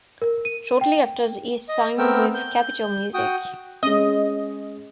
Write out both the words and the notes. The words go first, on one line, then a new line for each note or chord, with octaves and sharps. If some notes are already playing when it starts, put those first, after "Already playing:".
Shortly after he signed with Capital Music.
A#4
D#7
G5
D#5
A3 B3 C4 A#4 G5 E6
G6
F#4 G5 D#6
G#3 C#4 D#5